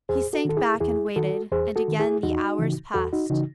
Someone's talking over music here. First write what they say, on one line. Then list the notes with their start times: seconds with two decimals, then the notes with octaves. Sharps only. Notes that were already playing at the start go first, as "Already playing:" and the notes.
He sank back and waited, and again the hours passed.
0.09 E2 G#4 C5
0.33 F#4 A4
0.45 D#3 A4
0.57 E4 G#4
0.80 E2 E4 G#4
1.16 D#3 F#4 A4
1.52 E2 G#4 C5
1.76 F#4 A4
1.88 D#3
2.00 E4 G#4
2.23 E2 D#4 F#4
2.59 C#3 E3
2.94 E2 F#4 A4
3.13 D#4 F#4
3.30 C#3 E3 D#4 F#4